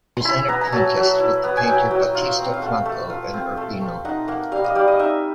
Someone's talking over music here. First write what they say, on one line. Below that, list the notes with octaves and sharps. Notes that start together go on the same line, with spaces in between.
He was then apprenticed with the painter Battista Franco in Urbino.
C6
E4 B5
B3 A#5
A#5
F#3 A5
F#3
E4
B3
G#5
F#3 G5
F#3
F4
C4
F5
A3 F#5
A3
F4
C4
A3
A3
D#4 F#5
A#3 F#5
G3 F5
D#5
G3 D5
D#5
D#4 E5